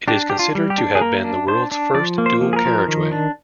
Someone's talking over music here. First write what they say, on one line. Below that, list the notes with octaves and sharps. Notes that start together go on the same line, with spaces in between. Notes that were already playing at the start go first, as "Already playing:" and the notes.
It is considered to have been the world's first dual carriageway.
D4 G4
D4 G4
F4
G3
G4
D4
G#4
A#3 A#4
D4
D4 C5
D4
F3 D5
A#3
C5
F3
G#4
A#4
F3
D#3
D4